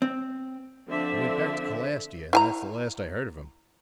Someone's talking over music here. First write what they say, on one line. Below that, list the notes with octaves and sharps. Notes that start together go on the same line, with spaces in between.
"He went back to Calastia, and that's the last I heard of him."
C4
D3 F3 C4 D4 E5
E4 G#5 A#5